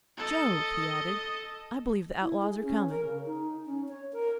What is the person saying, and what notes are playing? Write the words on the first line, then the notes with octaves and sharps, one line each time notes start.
"Jove!" he added, "I believe the outlaws are coming."
A4 D#5
E4
G#4
C#4
A#4
C#3
D#4
C#4
C#5
A#4